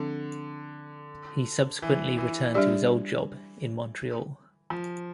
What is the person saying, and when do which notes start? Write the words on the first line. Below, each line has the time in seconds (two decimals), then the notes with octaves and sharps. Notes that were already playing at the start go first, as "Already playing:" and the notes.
He subsequently returned to his old job in Montreal.
Already playing: D3 F3 C4
1.82 E3
2.18 E3
2.54 G3 D4 G4 D5
4.70 F3